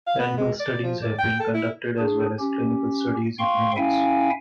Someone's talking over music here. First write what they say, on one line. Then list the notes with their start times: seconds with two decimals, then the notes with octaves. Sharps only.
Animal studies have been conducted as well as clinical studies in humans.
0.07 F5
0.19 B3
0.37 G#3
0.60 D5
0.83 F3
1.02 D5
1.18 G5
1.40 A4
1.54 E4
1.99 D4 G#4
2.39 C#4 G4
3.39 F5 G5 C6 C#6
3.77 C#4 E4 E5 F5 G5 G#5